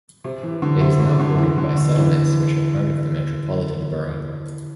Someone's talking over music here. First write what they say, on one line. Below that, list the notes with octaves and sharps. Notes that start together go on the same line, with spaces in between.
It is now bordered by settlements which are part of the metropolitan borough.
C3
E3
D3
C3
C3
D3
E3
D3
D3
E3